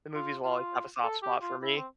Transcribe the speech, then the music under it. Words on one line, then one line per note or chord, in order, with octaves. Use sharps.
the movies will always have a soft spot for me.
F4
F4
A4
G4
F4
E4
C4